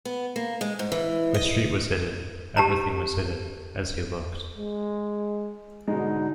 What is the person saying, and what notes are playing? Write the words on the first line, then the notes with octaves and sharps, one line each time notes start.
The street was hidden, everything was hidden, as he looked.
B3
A#3
G#3
G#2
E3
D#5
G4 A5 A#5
G#3
G#2 B2 D3 G#3 D#4